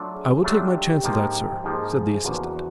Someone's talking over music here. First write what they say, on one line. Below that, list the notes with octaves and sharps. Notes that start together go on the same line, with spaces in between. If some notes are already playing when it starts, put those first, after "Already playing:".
"I will take my chance of that, sir," said the assistant.
Already playing: F#3 A3 D4 F4
G#4
F#3 A3 D4 F4 G4
G#2 F3 A#3 D#4
G#2 F3 A#3 D#4 G#4
G#4
E2 C#3 F3 A#3 D4 F#4